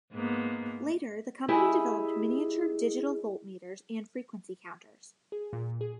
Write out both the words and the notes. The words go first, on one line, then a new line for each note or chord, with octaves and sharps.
Later the company developed miniature digital voltmeters and frequency counters.
G#2 A#3 B3
G#3 E4 G4 G#4 E5
G#4
A#2
G#4